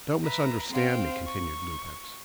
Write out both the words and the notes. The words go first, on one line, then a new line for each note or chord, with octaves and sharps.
"Don't misunderstand me," continued Lupex.
B4 E5 A#5
C4 C5 F5 G5
C#6